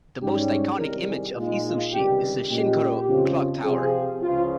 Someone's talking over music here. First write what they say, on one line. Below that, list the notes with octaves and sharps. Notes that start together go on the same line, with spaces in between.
The most iconic image of Izushi is the "Shinkoro" clock tower.
G#2 G3 C#4 G4
C2 C3 D#3 G3 A#4
G#4
A#2 G#3 D#4 F4
F4
C#2 C3 D#3 G3 G4
G4
A#2 G#3 C#4 G4
F2 C#3 F3 G#3 C#4
C3 F3 C4 G#4
C#2 C#3 F3 F4